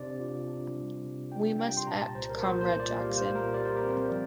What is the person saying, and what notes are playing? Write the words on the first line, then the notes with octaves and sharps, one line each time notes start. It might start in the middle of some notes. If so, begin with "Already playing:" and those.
We must act, Comrade Jackson!
Already playing: C3 D4 C5 D5
F4
D4
G3
C3
D4 G5
G3 G5
C6
A#2 A#5
A5
C2 C5
A#4
A#2 C5
C5
A#2
D5
G3 F5
C5
A#2
A#4
G3 D5
C5
A#4
C4
C5
F3 D5